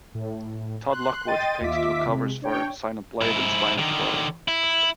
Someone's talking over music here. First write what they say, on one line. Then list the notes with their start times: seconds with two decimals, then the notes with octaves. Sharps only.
Todd Lockwood painted the covers for "Silent Blade" and "Spine of the World".
0.15 A2
0.90 C6 F#6
1.27 D#5 G5 C6 A6 D#7
1.61 D#2 F4 D#5 E5 D6 B6
2.06 C3 G#3
2.42 D4 C#5 G5
3.21 G#2 E4
3.78 D3 D#3
4.48 E4